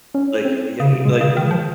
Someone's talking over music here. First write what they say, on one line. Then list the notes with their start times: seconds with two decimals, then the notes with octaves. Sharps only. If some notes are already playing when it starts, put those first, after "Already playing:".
like, you hate like
0.14 C#4
0.45 C4
0.80 C#3
0.93 C3
1.05 A#2 G#3
1.21 C#3
1.37 D#3
1.51 F3